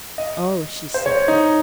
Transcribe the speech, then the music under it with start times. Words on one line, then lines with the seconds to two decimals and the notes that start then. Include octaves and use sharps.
"Oh," she said.
0.18 D#5
0.94 C5
1.06 C#5
1.28 D#4